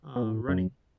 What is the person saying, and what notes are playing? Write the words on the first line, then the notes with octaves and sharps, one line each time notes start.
um, running
B2
A2
F#2